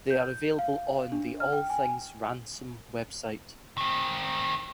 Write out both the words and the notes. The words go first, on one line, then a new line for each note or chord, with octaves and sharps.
They are available on the "All Things Ransome" website.
G6
F5
D4
F6
G5
G#5
D#3 C4